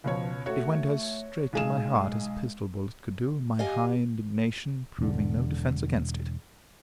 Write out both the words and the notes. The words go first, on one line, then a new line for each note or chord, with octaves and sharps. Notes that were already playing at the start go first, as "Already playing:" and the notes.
It went as straight to my heart as a pistol bullet could do, my high indignation proving no defence against it.
C#2 B2 F3 C#5
A3 F#4 A4 C#5
B1 G#3 G#4 E7
G4 D#5 F5 G#5
E1 D3